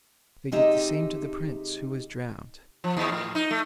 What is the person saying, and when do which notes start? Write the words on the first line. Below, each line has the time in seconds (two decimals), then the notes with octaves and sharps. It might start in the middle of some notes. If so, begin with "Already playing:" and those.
They did the same to the prince, who was drowned.
0.52 C3 G#3 D#4 G4 D#5 E5
2.84 F3
2.97 D#2
3.12 A2
3.35 D#4
3.51 A3